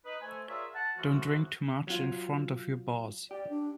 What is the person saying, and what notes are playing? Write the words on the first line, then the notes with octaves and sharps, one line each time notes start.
Don't drink too much in front of your boss.
D#4 B4
A3 C5 G#5
F4 G#4 A#4 C#5 D5 E5
F#5 A5
E3 F3 A3 C#4 F#4
F#3 F4
G4 D5
D4